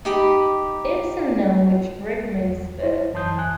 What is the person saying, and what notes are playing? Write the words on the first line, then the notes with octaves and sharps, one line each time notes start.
It is unknown which regimen is better.
D#4 G4 B5
E2
E4 C5 C#5
F#2 E3 A5 C6 D#6 G6
G#5 F#6